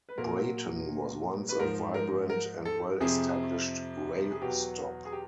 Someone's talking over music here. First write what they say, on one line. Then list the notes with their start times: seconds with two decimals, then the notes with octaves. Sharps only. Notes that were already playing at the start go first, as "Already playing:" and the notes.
Breyten was once a vibrant and well established rail stop.
0.09 B4
0.18 A#2 F#3 A#4
1.49 B4
1.59 G#2 F3 A#4
1.94 A#4
2.30 A#4
2.65 A4
3.00 F2 C3 F3 G#4
4.31 G#4
4.42 E2 B2 F#3 G4
5.05 G#4
5.12 G4